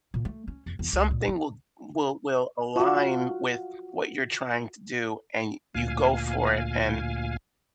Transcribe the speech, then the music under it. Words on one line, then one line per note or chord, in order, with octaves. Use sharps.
Something will will will align with what you're trying to do, and y you go for it and,
A#2
A3
C#4
F2
E2
C#2
A#2
A3
F4 F#4
D2 A#2 F5 G#5